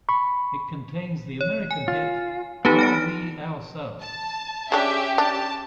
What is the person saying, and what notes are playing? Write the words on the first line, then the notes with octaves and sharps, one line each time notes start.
It contains the American hit Are We Ourselves?
B5 C#6
C#5
G#5
F4
B3 D#4 G4 A4 B4
F6 A#6 D7
A5
C#3 C#4 D4 G4 E5
D4 A5